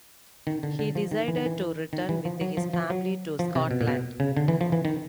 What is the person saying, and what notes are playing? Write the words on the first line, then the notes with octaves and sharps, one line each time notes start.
He decided to return, with his family, to Scotland.
D#3
D3
D3
F3
D#3
E3
D#3
E3
D#3
E3
F3
F#3
F3
F3
F#3
F3
C3
B2
A#2
B2
C#3
D3
E3
F3
E3
D#3